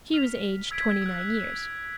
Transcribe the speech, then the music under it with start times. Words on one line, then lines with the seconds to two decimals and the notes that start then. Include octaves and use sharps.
She was aged twenty-nine years.
0.14 F6 B6 F7
0.71 E6 G#6 B6 D7
1.02 E6 F#6